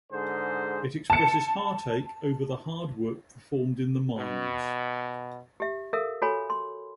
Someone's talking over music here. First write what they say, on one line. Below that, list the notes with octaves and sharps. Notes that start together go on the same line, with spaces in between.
It expresses heartache over the hard work performed in the mines.
G#2 D3 G#4 C5
A5 C#7
B2
G4 E5
A4 A#4 E5 F5 D#6
F#4 A4 C#5 G#5 B5
C6